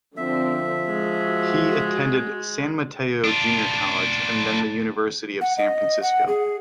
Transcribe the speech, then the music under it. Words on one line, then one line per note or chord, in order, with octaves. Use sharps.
He attended San Mateo Junior College and then the University of San Francisco.
D3 F3 C4 E5
G#3 F#4
D4 F4
F#5
D#5
F#5
G#4